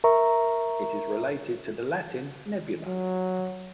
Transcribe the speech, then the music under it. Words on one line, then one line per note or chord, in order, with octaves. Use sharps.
It is related to the Latin "nebula".
A#4 E5 A#5 C#6
F#3